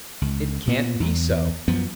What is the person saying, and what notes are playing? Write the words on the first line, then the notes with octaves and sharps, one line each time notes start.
It can't be so!
C#2
A#2 B3
E2
F#2 F3 B3